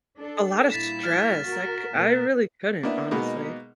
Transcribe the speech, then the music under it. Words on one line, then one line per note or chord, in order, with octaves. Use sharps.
A lotta stress I cou I really couldn't honestly,
D4 A4
A#2 G3 E4 A6 B6 E7
F6 A6
F#4 A#4
B2 A#3 A#4
A#3 B3 D4 E4
B2 G#3 A#3 B3 D#4